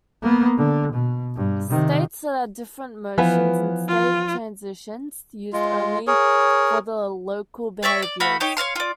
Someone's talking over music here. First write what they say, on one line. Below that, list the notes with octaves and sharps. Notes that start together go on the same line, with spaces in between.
States are the different motions and state transitions used only for the local behaviors.
A#3 B3
D3
B2
G2
C3 D#3
E3 F3 B3 B4 F5
F4
G#3 F4
G#4 A#4 C#5
C#5 D5 E5 C#6
D5
A3 F#4 F5 B5
D#4 G4 C#5
C#5 D#5 F5 C6
F4 D5